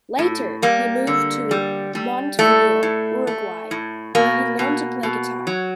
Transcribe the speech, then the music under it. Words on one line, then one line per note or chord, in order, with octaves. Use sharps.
Later he moved to Montevideo, Uruguay, where he learned to play guitar.
A2
G3 A#3
D3
G3
G3
A2 A3
A2
A3
A2
B2 A#3
B2
B2
F#3